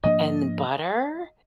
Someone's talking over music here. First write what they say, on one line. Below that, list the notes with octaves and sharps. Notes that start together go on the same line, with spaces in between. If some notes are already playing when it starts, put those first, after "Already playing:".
and butter,
G#2 F3 A#3 D4 D#5